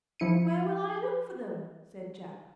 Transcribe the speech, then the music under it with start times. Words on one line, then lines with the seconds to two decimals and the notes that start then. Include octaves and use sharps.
"Where will I look for them?" said Jack.
0.20 F3 E4 C#7 D#7